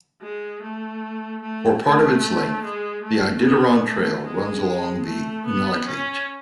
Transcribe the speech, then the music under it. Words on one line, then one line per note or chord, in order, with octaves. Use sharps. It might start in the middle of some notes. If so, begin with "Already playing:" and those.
For part of its length, the Iditarod Trail runs along the Unalakleet.
G#3
A3
A3
A3
G#3
A3
B3
A3
G#3
A3
B3
C#4